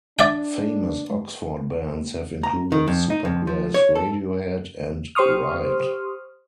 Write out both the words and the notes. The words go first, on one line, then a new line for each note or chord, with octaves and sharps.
Famous Oxford bands have included Supergrass, Radiohead and Ride.
D4 D5 E5 G5
A#5
D#3
F2
D#4
F2
F3
C#5
A4
G4 C5 C6 C#6 D#6 F6